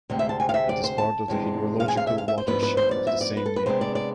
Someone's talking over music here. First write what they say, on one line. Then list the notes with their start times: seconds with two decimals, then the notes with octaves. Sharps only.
It is part of the hydrological watershed of the same name.
0.10 D2 C3 G#3 C4
0.19 E5
0.29 A5
0.40 G#5
0.49 F5
0.54 E5
0.69 D5
0.84 C5
0.98 A5
1.28 E2 C3 G#3 D4
1.80 F5
1.88 G#5
1.97 F5
2.07 E5
2.18 F5
2.28 E5
2.38 C5
2.47 G#2 F3 B3 D4 B4
2.63 B4
2.77 C5
2.91 D5
3.07 E5
3.21 D5
3.37 B4
3.46 A4
3.56 B4
3.66 C3 G#3 B3 D4 C5
3.81 D5
3.95 D5